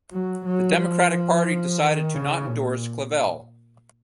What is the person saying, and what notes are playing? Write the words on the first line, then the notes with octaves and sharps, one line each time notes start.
The Democratic Party decided to not endorse Clavelle.
F#3
F#3
F3
D#3
C#3
A#2